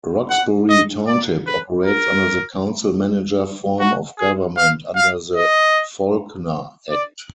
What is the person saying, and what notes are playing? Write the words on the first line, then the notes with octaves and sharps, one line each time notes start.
Roxbury Township operates under the Council-Manager form of Government under the Faulkner Act.
F#5
D#5
D5
B4
A#4
F#4
G#4
F5
F5
D#5
D5